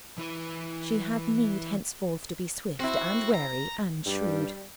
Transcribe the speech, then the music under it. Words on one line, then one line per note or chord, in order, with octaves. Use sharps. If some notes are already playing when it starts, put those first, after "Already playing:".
She had need henceforth to be swift and wary and shrewd....
E3 E4 B4
C4 E4 F#4
A#5
G2 G3